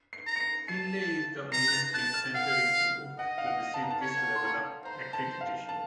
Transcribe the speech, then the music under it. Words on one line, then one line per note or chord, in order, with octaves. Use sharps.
Finley is the only sleep center in Dubuque to receive this level of accreditation.
C7
A#5
C#7
C7
A5 C7
A#5 C7
F#6
A6
A5 F#6
F6
F5 F#5
D#5 F#5
F5
F#5
A5
A#5
A5
C#5
C6
A#5
C5 A#5
A5
F5
A5